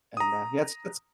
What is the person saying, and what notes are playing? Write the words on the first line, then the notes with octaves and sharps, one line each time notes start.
and, uh, yeah that's that's
A#5 D#6